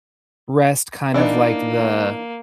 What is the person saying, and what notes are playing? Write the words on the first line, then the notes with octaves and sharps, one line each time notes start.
rest, kind of like, the
E3 A#3 D4 D#4